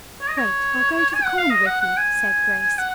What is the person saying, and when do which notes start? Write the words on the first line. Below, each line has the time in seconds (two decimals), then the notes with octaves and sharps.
"Wait, I'll go to the corner with you," said Grace.
0.21 C#5
0.29 D#5
0.38 C#5
1.14 G#5
1.25 F#5
1.38 F5
1.50 D#5
1.66 F#5
1.81 F#5
1.97 G#5
2.78 F#5